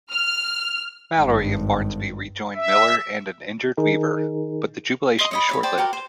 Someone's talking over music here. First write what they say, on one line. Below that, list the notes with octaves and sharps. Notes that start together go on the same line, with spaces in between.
Mallory and Barnsby rejoin Miller and an injured Weaver, but the jubilation is short-lived.
F6
G#1 G2
E5
D#3 D#4 G#4 A#4
D#5 C6
C#5 D#5 B5
C#5 D5 B5
C5 D5 G5
F#4 G4 A#4
C5